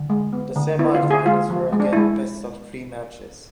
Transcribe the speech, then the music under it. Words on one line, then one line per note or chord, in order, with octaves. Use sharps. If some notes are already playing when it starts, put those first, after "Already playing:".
The semifinals were again best-of-three matches.
Already playing: D3
G#3
B3
D3
B3 E4
F4
D3
G#4
G#3 F4
F3
G#3
D4
G#3 E4